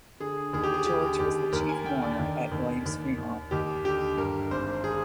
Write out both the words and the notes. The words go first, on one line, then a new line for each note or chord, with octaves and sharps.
George was the chief mourner at William's funeral.
D3 G#4
D#2 G#4
G4
G#4
D3 G4
D#2 G4
D#2 A#4
G#5
D3 G5
D5
D#2
D#2
D#2
D#2
D#2 G4
D3 G4
G2 A#4
G#1 C5
G#4